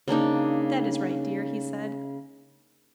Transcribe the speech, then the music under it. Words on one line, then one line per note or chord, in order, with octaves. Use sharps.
"That is right, dear," he said.
C#3 A#3 D4 D#4